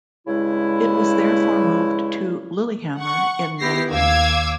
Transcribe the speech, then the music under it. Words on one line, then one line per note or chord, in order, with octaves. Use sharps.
It was therefore moved to Lillehammer in Norway.
G2 C#3 G#3 E4
F#5 C#6
B3 E4 G4 A#6 C7
D#2 F5 D6 E6 G#6